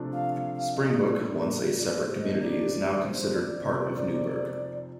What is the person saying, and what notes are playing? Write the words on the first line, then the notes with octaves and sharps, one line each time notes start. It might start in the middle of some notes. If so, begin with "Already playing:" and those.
Springbook, once a separate community, is now considered part of Newberg.
Already playing: C3 F3 A3 D4
F5
F5
F5
D#5
D5
A2 G3 A#3 D4 D5
A#4
D5
C5
D#5
F2 D#3 A#3 D4 D5
C5
D5
F2 C3 F3 C4 D#4